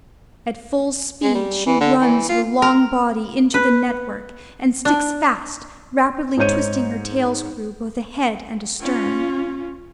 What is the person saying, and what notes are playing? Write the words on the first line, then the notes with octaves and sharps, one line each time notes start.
At full speed she runs her long body into the network and sticks fast, rapidly twisting her tail-screw both ahead and astern.
G#3
G3
E3
D3
E3
F4
A#4
B4
D4
G#2 D#4 C5 C#5 G6 D#7
C#4 F4